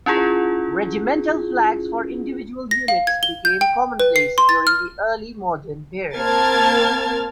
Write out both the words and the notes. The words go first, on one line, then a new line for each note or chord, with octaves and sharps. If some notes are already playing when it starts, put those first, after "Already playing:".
Regimental flags for individual units became commonplace during the Early Modern period.
C#4 E4 F4 G#4
A#6
F5
G#6
G7
G6
G5
B4
C7
C6
A6
F6
A#3 C4 A5 F6 G#6 A6